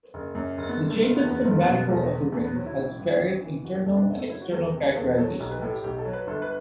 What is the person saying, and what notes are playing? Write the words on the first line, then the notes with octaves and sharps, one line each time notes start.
The Jacobson radical of a ring has various internal and external characterizations.
F#1
F#2
F#1
B3
D3
A3
F#1 A3
B3
E2
B3
F#1 A3
B3
B2
B3
E2 A3
D3
E2 A3
B3
F#3 C4
E4
A1
G2
A1
E3
F#1 F#4
G4
F#2 A4
D4
F#1
A3
F#3 E4
F#4
E2 A4
C3
B4
E2 A4
F#3 A4
B1 G4
B4
A2 A4
G4
B1 G4
A4
F#3
B4
G1 A4
B4